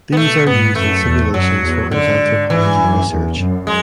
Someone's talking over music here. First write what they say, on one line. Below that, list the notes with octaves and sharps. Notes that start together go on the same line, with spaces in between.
These are used in simulations for his anthropology research.
B3
B2 A3
G#2 B3
F#2 A3
E2
F#2 F#3
E2
F#2 D3
G#2
G#2 E3
F#2
E2
F#2
G#3